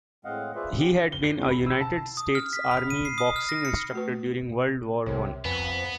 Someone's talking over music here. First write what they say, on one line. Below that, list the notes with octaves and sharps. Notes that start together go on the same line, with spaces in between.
He had been a United States Army boxing instructor during World War One.
A2 G#3 C4 D#5 F5 F#5
F4 G#4 B4 C5 D5 E5
B3 C#4 G4
G7
C7
E2
B5
E6
A5
D#6
F6
B6
B5
D#7
C7
D#6
F6
A#6
C#7
A3 F#4 B4
C2 C3 A#4 C#5
F2 B3 B4 G#5 B5